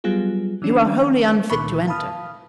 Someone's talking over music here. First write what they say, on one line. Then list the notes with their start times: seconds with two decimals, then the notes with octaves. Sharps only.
You are wholly unfit to enter.
0.04 F#3 G3 B3 F4 G#4
0.62 D#3 F3 C#4 D4
1.50 C#2 A#2 D#3 B5 C#6
1.88 F5 A5 B5 D#6 F6